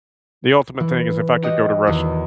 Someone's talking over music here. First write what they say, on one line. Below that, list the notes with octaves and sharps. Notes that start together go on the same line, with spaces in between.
the ultimate thing is if I could go to Russia.
E3
F#4 G4 D#5
E2 D#3 E3 B3 D#6